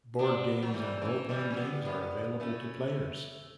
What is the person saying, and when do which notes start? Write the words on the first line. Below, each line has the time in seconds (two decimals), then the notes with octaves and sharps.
Board games and roleplaying games are available to players.
0.19 B3 D4
0.62 F#3
0.73 E3 G3
1.02 C#3 E3
1.29 E3 G3
1.51 C#4
1.56 G3 B3
1.85 G3 B3
2.40 A3 C#4